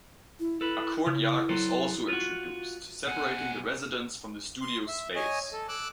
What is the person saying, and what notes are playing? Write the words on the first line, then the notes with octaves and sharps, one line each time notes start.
A courtyard was also introduced, separating the residence from the studio space.
E4
E4 A4 B4
C#3
F#3 A4 C5
F4 F#4
B2 F#5 G#5
C6
E5
C#5 D#5 G#5
A4
D6 E6 F#6